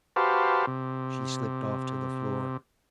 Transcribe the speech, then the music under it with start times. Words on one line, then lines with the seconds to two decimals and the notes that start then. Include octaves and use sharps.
She slipped off to the floor.
0.16 F#4 G4 B4 C5 F5 A5
0.67 C3